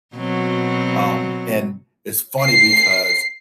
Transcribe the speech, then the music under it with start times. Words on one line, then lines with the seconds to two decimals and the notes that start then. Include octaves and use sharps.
Um, and it's funny because
0.15 B2 F#3 C4
2.42 C7